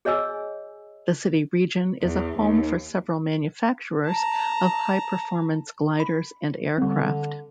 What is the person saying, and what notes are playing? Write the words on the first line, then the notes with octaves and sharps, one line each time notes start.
The city region is a home for several manufacturers of high-performance gliders and aircraft.
G#4 C#5 D#5 G#5 E6
E2
D#2
A5 A#5
B5
D3 G3 C4